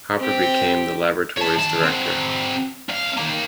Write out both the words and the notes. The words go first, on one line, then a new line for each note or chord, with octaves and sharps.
Hopper became the laboratory's Director.
C4 G4
C#5 A5
D#3 A5
C4 F#4
C2 F5
D#3 A#3